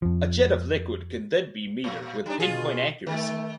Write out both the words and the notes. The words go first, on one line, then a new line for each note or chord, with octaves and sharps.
A jet of liquid can then be metered with pinpoint accuracy.
F2 F3
A#2
G3 D4 D#4
B2 F4 G#4
D#3 A3